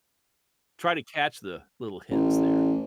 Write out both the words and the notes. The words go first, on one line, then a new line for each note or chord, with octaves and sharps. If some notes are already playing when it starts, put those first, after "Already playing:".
try to catch the little hints there.
A1